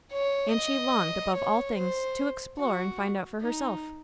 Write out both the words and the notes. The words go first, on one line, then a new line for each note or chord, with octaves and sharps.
And she longed, above all things, to explore and find out for herself.
C#5
D#5
C#5
C5
F#4
D#4